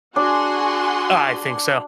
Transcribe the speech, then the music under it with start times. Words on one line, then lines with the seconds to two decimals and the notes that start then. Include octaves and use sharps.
I I think so.
0.16 D4 F#4 G#4 C6